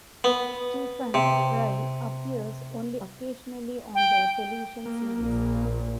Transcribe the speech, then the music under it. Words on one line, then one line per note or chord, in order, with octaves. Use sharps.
Stephen Fry appears only occasionally on the television series.
B3
C3
G5
A#3
A#1 A#2